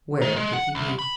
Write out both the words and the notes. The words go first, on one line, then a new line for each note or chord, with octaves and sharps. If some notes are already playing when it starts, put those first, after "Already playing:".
Where could he be?
D#3
G#3
F#5
C2
B5